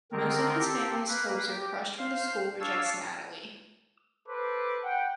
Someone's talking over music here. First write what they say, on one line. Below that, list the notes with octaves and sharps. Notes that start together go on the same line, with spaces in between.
Moose and his family's hopes are crushed when the school rejects Natalie.
D3 D#3 C4 A#4
C4 G4 A4
A#3 B4
G4
C5 F5
D4 C#5 F5 E6 A6
A4 B4 C5 D6
F#5 G5